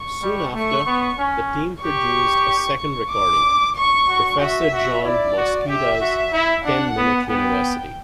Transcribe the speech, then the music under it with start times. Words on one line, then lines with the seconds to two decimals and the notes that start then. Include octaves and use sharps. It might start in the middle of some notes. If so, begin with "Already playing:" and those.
Soon after, the team produced a second recording, Professor John Moschitta's Ten Minute University.
Already playing: C#6
0.22 G3
0.54 A3 C#6
0.86 B3
1.19 C#4
1.83 G4 C#6
3.11 D6
3.76 C#6
4.09 F#4
4.40 F#4 E5
4.73 F#4
5.04 E4 D5
5.37 F#4
5.69 G4 E5
6.01 F#4
6.33 E4
6.65 D4 F#5
6.98 B3
7.29 B3 G5